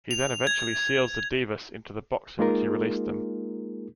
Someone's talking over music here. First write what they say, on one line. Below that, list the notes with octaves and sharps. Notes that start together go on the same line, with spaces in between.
He then eventually seals the Daevas into the box from which he released them.
F7
G#6
G#3 A#3 D#4 F4 G#4 A#4